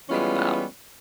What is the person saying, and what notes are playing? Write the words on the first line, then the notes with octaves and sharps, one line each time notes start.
thing about
E3 G3 G#3 B3 C#4 F4